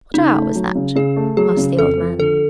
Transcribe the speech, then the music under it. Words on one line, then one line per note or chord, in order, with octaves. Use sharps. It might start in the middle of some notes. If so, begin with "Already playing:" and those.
"What hour was that?" asked the old man.
C#3 D#4
A3
F#3
C#3
C#3 G#4
A3
F#3 G#4
C#3
F2 A4
F3
D3 A4